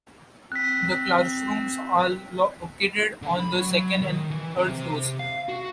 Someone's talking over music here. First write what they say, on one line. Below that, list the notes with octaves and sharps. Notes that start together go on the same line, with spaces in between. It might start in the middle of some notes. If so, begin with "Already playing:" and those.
The classrooms are located on the second and third floors.
C4 F#6 B6
D3
B5
F#3
F#3
D#3
E3
C3
F5
F#4